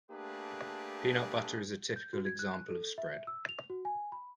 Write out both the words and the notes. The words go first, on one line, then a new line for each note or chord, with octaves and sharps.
Peanut butter is a typical example of spread.
A3 A#3 D4 G4 G#4 B4
G6
F#4
G#6
F#6
A4
E5
E6
F7
F#4
G#5
B5